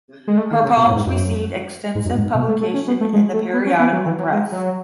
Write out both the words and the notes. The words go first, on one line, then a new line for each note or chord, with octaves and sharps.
Her poems received extensive publication in the periodical press.
G#3
A3
D#3
C#3
B2
A2
F#2
G#2
F#2
G#2
F#2
G#2
B2
A3
A3
C#4
B3
A3
G#3
A3
B3
C#4
B3
F#3
E3
F#3
G#3
F#3